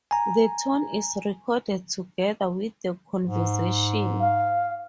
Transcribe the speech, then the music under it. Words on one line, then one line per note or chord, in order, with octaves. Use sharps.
The tone is recorded together with the conversation.
G#5 A#5
G#2
F5